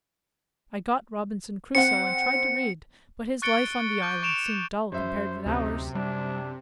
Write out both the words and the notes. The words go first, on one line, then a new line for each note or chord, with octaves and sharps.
I got "Robinson Crusoe" and tried to read, but his life on the island seemed dull compared with ours.
C4 F#5 C#7
C#6 F#6 A6 C#7 D7 G7
C#6 D6 G6
C#6 D7 E7 F7
F#2 C5 E5
D2 C3 D#4
G3 D4